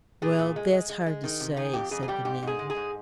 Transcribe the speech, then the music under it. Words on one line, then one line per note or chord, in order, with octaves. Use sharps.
"Well, that's hard to say," said the man.
A#2 G#4
A#2
G#3
G#3
G#3
G#3
D#3
C3
D#3 G#4
F2 G4
F2 G#4
G#4
G3 G4
G#2 G4
G#2 G#4
G#3
G#4
G#2